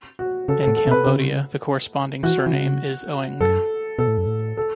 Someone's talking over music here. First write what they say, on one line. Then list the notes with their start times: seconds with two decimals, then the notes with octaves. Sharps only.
In Cambodia, the corresponding surname is Oeng.
0.19 F#4
0.48 C#3 A4
0.63 A4
0.68 A2
0.77 A4
0.87 B2
0.91 B4
1.07 C#3
2.23 E3 F#4
2.46 E3
2.53 C#3
3.41 F#2 A4
3.99 B2 A4
4.08 A2
4.18 F#2
4.26 A2
4.57 A4